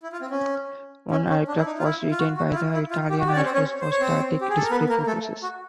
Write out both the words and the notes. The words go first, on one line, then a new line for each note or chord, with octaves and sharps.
One aircraft was retained by the Italian Air Force for static display purposes.
E4
F4
C4
C#4
C#4
C#4
D4
E4
D#4
F4
E4
F4
F#4
F#4
E4
F4
E4
F4
G4
F#4
G4
D5
C#4 C#5
C4 C5
C#4 C#5
C5
C#5
C4 C5
G4
G#4
A4
A#4
B3 B4
A#3 A#4
A3 A4
F#4